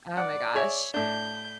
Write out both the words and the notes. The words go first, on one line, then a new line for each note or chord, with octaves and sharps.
Oh my gosh.
D5 F#5
G#4 C#5 E5
A2 D4 G6